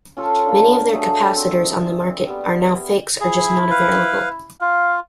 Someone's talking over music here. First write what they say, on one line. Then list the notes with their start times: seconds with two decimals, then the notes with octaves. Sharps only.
Many of their capacitors on the market are now fakes or just not available.
0.17 C#4 F4 A4 C5
0.46 A#3 D4
0.93 F#3 A3 G#4
1.36 C4
2.27 G3 B3
3.21 E4 G#4
3.71 B4 F5
4.61 F4 F5